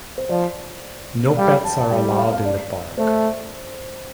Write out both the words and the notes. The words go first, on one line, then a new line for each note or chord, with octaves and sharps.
No pets are allowed in the park.
C5
F3 D5
D5
G3 F5
G5
A5
A5
G3 G5
F5
F5
D5
A3 C5